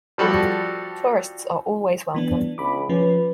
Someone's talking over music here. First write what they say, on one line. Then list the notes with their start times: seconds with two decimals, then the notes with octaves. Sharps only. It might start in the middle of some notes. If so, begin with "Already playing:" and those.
Tourists are always welcome.
0.18 F3 G3 F#4 A4
2.14 E3 B3 D4
2.58 C#2 B5 D6
2.89 F3 C#4 B4